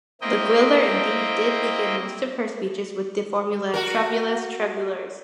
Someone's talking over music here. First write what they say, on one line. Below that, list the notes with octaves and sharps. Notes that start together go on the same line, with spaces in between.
Laguiller indeed did begin most of her speeches with the formula, "Travailleuses, travailleurs!".
A#3 C4 E4 D#5 G5
F#4 A#4